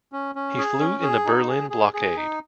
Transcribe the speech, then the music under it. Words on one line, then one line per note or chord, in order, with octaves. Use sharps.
He flew in the Berlin Blockade.
C#4
C#4
G#4
C#4
G#4
D#4
G#4
G#4
G#4
D#4